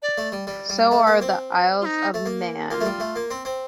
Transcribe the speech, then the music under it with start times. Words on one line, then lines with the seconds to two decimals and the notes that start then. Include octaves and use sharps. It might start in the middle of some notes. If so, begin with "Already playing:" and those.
So are the Isle of Man.
0.02 D5
0.18 A3
0.32 G3
0.47 G3
0.69 G3
0.91 A3
1.07 A#3
1.22 C4
1.81 F4
1.85 D#4
2.14 A3
2.26 A#3
2.71 A#3 F4
2.81 A3
2.86 G3
3.00 A3
3.16 A#3
3.31 C4
3.45 C4